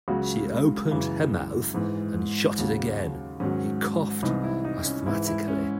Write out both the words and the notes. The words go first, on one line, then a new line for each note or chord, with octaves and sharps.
She opened her mouth and shut it again; he coughed asthmatically.
C#2 C#3 F#3 F#4
F#2 C#3 E3
G#2 E3
D#2 C#3 F#3
G#2 D#3 F#3 C#4
C2 C3 E3 D#4
E4
D#4
C#4
G#2 E3 E4
E4
C#4